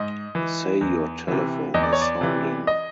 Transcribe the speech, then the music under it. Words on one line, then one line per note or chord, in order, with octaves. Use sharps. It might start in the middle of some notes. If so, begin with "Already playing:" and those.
Say your telephone is sounding.
Already playing: G#2 D#5
E3
E2
C3 E3
E2 D#5
D5
C#5
D5
C3 E3
D#5